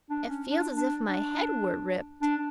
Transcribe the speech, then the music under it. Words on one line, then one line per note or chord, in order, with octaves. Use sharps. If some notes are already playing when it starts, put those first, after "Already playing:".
"It feels as if my head were ripped."
D4
C#4
D4
D4
D4
D4